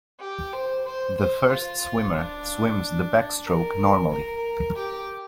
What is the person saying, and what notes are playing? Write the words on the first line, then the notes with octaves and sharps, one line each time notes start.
The first swimmer swims the backstroke normally.
G4
C5
C5
C5
F4
D4
A#4
A#4
G4